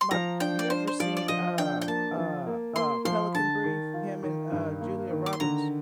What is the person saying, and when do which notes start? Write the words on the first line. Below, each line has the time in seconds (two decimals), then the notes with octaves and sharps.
My q do you ever seen, uh uh uh, Pelican Brief, him, and, uh, Julia Roberts,
0.01 C6
0.11 F3 A#5
0.40 D4 G5
0.59 D5
0.70 D4 C5
0.87 C5
1.00 F3 D5
1.17 D5
1.28 F3 D#5
1.58 D4 G5
1.82 G5
1.88 A#3 A5
2.17 F3
2.46 A#3
2.76 A#3 C6
3.05 F3 C6
3.35 D3 A5
3.64 D#3
3.94 F4
4.23 D#3
4.52 G2
4.81 A#3
5.11 D#3
5.26 D6
5.33 C6
5.40 D3 A#5